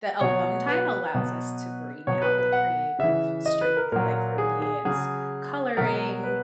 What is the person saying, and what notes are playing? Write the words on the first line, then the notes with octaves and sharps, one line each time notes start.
that alone time allows us to bring out the creative streak. Like, for me, it's coloring,
B2 F#3 C#5
B4
B2 F#3
B2 F#3 C#5
B4
B4
F#5
C#3 E3 E5
D#5
B4
A#4
A#2 F#3 A#4
G#4
G#4
C#3 F#3 G#4
B2 F#3 A#4
B4